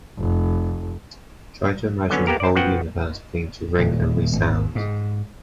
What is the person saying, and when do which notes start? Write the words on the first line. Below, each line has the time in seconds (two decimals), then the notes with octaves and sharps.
Try to imagine the whole universe beginning to ring and resound.
0.18 F1
2.10 D3 F#3 B3 C#4
2.27 A#3 B3 G4 A#4
2.40 C5 D5
2.56 F3 B3 F#4 F#5 G5
3.79 D#1
4.36 G#1
4.75 G#2